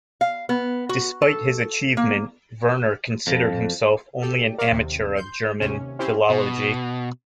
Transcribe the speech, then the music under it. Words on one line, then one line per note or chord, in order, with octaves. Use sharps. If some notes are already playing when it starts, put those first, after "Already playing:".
Despite his achievement, Verner considered himself only an amateur of German philology.
F5
B3
F#4
A4
A#3
F2
G4 A4
A#4 C#5 D5 F5
D#2 C3
C6 G6
D#2 C3 C#4
C4 C#4 E4 G4 C5
B2